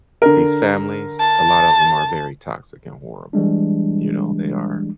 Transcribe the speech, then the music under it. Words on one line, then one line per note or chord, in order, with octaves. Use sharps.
these families, a lot of them are very toxic and horrible, you know? They are.
D3 A#4
A5
E3 G3 G#3 D4